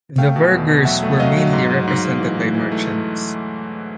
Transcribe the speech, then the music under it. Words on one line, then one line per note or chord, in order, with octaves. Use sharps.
The burghers were mainly represented by merchants.
A3 F5 G5
B2
E2
B2
F#3 E5 F#5
A3
F#3 D#5 F5
F#3
G#2
G#2
G#2
G#2
E3
E3
E3
A3